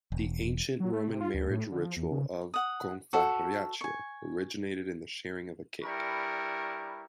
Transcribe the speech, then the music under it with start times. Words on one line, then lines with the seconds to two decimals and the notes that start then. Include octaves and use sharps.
The Ancient Roman marriage ritual of "confarreatio" originated in the sharing of a cake.
0.12 E1
0.80 F#3
0.93 A3
1.08 C3
1.21 F4
1.34 D2
1.50 A2
1.71 D3
1.84 F3
1.97 E2
2.11 C#3
2.54 F#5 D#6
3.13 F#4 A4
3.81 G#5 C#6
5.84 G3 D4 E4 A#4 B4 C#6